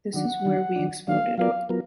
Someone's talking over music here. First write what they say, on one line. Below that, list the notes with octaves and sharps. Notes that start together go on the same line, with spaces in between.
This is where we exploded!
D#3 F#3 D4 F#5
D#3 F#3 D4
D#3 F#3 D4
D#3 F#3 D4 F5
F#3 B3 F4 A#4 D5 F5
F#3 B3 F4 A#4